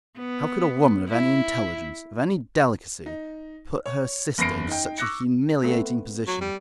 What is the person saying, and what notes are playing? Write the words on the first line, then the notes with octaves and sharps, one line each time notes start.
How could a woman of any intelligence, of any delicacy, put her sister in such a humiliating position!
B3
E4
D#4
C#5
F#1 E2 B5 A#6 C7 D7
D#4 G5
C#6 D6 E6 F#6 A#6 C#7
A3 B3 C4
F#3
G3